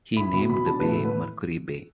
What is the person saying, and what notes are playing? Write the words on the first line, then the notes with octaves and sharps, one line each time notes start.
He named the bay Mercury Bay.
E4 B5
B2 B5
B2 B5
D4 A5
A2 B4
A4
A2 B4